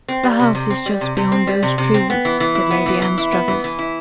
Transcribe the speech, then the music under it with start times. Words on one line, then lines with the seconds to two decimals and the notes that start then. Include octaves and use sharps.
"The house is just beyond those trees," said Lady Anstruthers.
0.08 C4
0.23 G3
0.40 C3
0.55 C3
0.70 C4
0.86 G3
1.01 C3
1.17 C3
1.32 C4
1.47 G3
1.63 C3
1.78 C3
1.94 C4
2.10 B3
2.25 E3
2.40 E3
2.55 E4
2.71 B3
2.86 E3
3.02 E3
3.18 E4
3.32 B3
3.48 E3
3.64 E3
3.79 E4